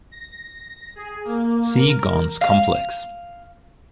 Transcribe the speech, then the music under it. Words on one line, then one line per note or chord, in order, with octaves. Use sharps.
See Ghon's complex.
A#6
G#4
A#3
A#4
F5